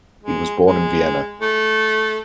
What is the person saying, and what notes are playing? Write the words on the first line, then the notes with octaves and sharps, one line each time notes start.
He was born in Vienna.
G#3
G#3
A3